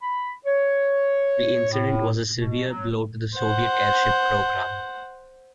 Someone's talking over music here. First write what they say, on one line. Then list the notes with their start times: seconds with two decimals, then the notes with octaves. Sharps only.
The incident was a severe blow to the Soviet airship program.
0.01 B5
0.45 C#5
1.70 A2
2.32 B2
2.68 F#3
3.35 C5 F#5